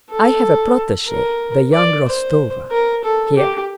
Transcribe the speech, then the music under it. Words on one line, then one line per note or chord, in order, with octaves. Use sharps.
I have a protegee, the young Rostova, here.
A4
A#4
D5
C5
A#4
A4
G4